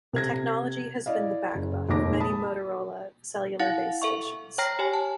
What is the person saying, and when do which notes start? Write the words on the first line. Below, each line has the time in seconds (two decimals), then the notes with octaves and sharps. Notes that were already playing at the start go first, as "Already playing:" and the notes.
The technology has been the backbone of many Motorola Cellular Base stations.
0.13 C3 A4 G#6 A#6
1.06 E4 D5 D#5 F5
1.55 F#1
1.89 F1 D#2 A#2 D6 A#6
2.20 A5 B5 D#6
3.59 E4 F5 F#5 A6
4.02 A4 E5 C#6
4.58 C#5 G5 A#5 F6 A#6 C7
4.79 G4 C#5 G#5
4.93 A5